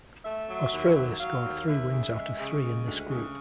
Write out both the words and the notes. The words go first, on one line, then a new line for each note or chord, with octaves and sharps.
Australia scored three wins out of three in this group.
A3 E5
F#3
D#2
F#3
F#3 F5
D#2
D#2 E5
C#3
G#3
C#3
G#3
D2
C#3